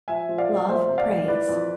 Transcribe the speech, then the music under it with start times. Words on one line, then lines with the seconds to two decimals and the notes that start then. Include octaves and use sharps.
Love prays.
0.08 F3 E5 G#5
0.29 F3
0.38 D5 F5
0.48 F2
0.69 F2 C5 E5
0.89 C3
0.98 D5 F5
1.08 F2
1.28 E3 B4 D5
1.49 F2